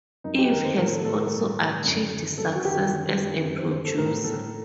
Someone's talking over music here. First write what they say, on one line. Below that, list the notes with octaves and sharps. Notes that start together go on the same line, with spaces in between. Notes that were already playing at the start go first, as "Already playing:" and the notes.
Eve has also achieved success as a producer.
F#2 D#4
G4
D#3 A#4
C5
A2 A#4
A4
A2 A4
A#4
G2
D3
F#2
D3
F#2 A4
F#4
D#3 G4
F#2
D#3 G4
F#2
C5
D3 C5
A4
A2 A#4
A2 A4